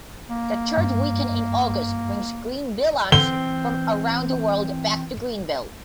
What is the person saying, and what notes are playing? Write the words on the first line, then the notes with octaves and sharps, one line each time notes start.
The third weekend in August brings Greenvillians from around the world back to Greenville.
A#3
G2
D3 E3 C4 G7